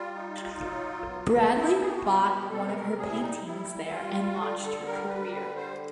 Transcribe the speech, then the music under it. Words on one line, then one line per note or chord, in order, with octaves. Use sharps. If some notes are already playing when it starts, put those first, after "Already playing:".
Bradley bought one of her paintings there and launched her career.
Already playing: G3 F4
D#4
F#3
B3
B3 E4
G#4
G4
F#4
B2 F4
G4
C3 A4
B4
A#4
G3 G#4
E4
D#4
G3 E4
E4
G3 F4
F#4
D3 F4
A4
G3 A#4
B4
A#4
D3 B4
C5